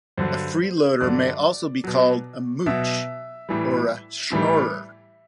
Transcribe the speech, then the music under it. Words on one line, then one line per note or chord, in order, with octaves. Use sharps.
A freeloader may also be called a "mooch" or a schnorrer.
G2 D3 F#3 C5
G2 D3 F#3 D5
B2 F#3
B2 F#3 E5
A2 E3 G3
A2 E3 G3